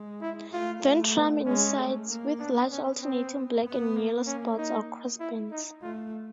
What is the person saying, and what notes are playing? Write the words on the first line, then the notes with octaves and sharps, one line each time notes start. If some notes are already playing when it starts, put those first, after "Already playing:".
Ventrum and sides with large alternating black and yellow spots or crossbands.
Already playing: G#3
E4
A3 F4
A3
B3
G#3 C#4
A3
A#3
B3 D4
B3 C#4
C4
B3
A#3
C#4
D#4
E4
D#4
A3 F4